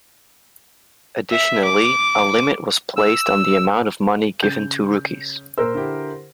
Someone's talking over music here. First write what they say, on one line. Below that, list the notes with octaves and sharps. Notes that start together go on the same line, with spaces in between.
Additionally, a limit was placed on the amount of money given to rookies.
E5
D6
E6
C#3 G6
A#2 A#4 C5 E6
D3 E4 G4